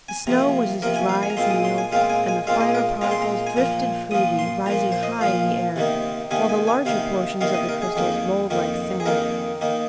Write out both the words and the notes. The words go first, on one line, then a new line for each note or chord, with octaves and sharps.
The snow was as dry as meal, and the finer particles drifted freely, rising high in the air, while the larger portions of the crystals rolled like sand.
G#5
C3 F3 A#3 A#5
C3 F3 A#3 A#4
G#5
F5
G#5
A#5
A#2 G#3 C4 F4 C6
D#6
C6
G#5
A#2 G#3 C4 F4 F5
G#5
G#5
A#2 G#3 C4 F4 F5
D#5
A#4
A#2 G#3 C4 F4 A#5
C6
A#5
G#5
A#2 F3 A#3 A#5
A#2 F3 A#3 D#6
C6
A#2 F3 A#3 A#5
C5
D#5
A#2 F3 A#3 F5
C3 D#3 A#3 D#4
C3 D#3 A#3 D#4 G#5
G#5
G#5
C3 D#3 A#3 D#4 F5
C3 D#3 A#3 D#4 F5
D#5
A#4
G#4
F2 D#3 A#3 D#4
F2 D#3 A#3 D#4
G#4
F2 D#3 A#3 D#4 A#4
D#3 A#3 D#4